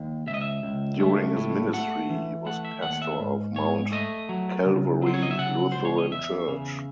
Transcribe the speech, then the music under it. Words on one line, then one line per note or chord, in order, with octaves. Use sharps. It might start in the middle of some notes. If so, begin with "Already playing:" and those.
During his ministry he was pastor of Mount Calvary Lutheran Church.
Already playing: D#2
C#2 E5
D#5
E5
C#2
A3
A2
A3 F#5
E3
A3 F#5
E5
D#2 F#5
F#5
E5
G#2
G#2 C#5
A3 D#5
F#3
C#3
F#3 C5
C#5
D#5
E5
C#3 F#5
C#2 C5
C#5
D#5
E2 E5
C#3